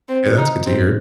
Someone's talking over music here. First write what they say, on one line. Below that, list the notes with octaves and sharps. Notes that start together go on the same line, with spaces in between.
Yeah, that's good to hear.
C4
D#4
C4